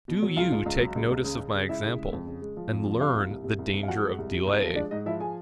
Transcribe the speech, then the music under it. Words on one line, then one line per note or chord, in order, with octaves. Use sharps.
Do you take notice of my example, and learn the danger of delay.
B2
F#3
C#2 F4 F5
C#2
C#2
F#3
C#2
C#2
C#3
C#3
C#3
G#3 E4 E5
C#3
G#3
F2
C#3
G#3
F3
F2
F3
C3 F4 F5
C2
C2
C3
C2
C2
F5
F3 F#4 F#5
G#3
C2
C3
C2
F3
G#3 D4 D5
G#2 D#4 D#5
F3 E4 E5
G#4 G#5